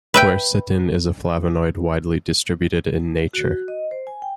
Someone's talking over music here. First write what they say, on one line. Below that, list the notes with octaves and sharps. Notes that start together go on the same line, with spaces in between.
Quercetin is a flavonoid widely distributed in nature.
B4 E5 G5
F#4
D#5
C5
G#5
G5